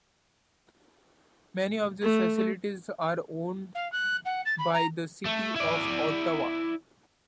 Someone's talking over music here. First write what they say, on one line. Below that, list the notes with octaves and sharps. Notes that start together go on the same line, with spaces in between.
Many of these facilities are owned by the City of Ottawa.
A3
F5
F#6
F#5
A6
B5
A#5
A3
E4 D5